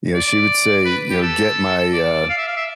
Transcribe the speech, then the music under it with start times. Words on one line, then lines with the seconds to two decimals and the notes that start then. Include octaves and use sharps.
you know, she would say, you know, "Get my, uh,
0.14 D5
0.85 B4
1.11 G4
1.22 A4
1.93 D5
2.30 F5
2.38 E5
2.48 F5
2.57 E5